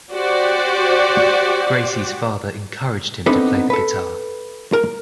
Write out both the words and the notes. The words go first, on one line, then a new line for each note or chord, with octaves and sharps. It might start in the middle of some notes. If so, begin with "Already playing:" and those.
Gracie's father encouraged him to play the guitar.
F#4 G4 C5 D5
B3 C4 D4 D#4 A4 B4
A4 B4
A#4